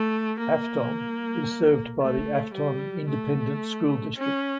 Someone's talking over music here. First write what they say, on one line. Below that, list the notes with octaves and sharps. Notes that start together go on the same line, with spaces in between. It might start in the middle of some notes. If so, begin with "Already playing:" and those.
Afton is served by the Afton Independent School District.
Already playing: A3
A#3
A3
G3
A3
C#4